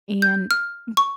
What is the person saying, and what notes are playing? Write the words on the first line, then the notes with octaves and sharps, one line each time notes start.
And m
G6
F6
C#6